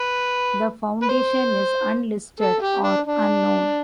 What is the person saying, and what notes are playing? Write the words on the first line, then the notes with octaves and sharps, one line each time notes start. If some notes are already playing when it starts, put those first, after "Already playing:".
The foundation is unlisted or unknown.
Already playing: B4
B4
C5
A4
G4
D4
D4